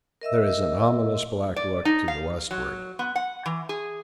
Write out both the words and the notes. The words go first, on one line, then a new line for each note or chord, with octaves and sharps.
There is an ominous black look to the westward.
A#4 D#5 E5 E6
D5
D#4
F5
F#3
B3
F#5
E3
G#4